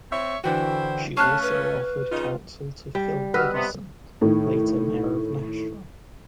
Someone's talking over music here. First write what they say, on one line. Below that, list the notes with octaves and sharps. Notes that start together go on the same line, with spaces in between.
She also offered counsel to Phil Bredesen, later mayor of Nashville.
C4 C#5 E5
D3 E3 E4 F#4 C5 G5
A3 C#4 F5 A5 C#6 F6 F#6
B4
C#3 D#4 F4
G3
F#4 B4 D#5 E6 F6
C3 B3
A2 D#3